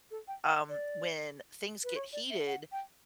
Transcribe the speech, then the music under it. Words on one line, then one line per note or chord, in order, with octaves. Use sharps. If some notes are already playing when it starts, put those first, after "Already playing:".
Um, when things get heated,
A4
G5
F#5
D5
B4
C#5
D5
E5
F#5
G5